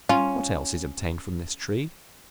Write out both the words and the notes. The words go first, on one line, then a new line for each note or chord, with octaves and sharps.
What else is obtained from this tree?
C#4 F4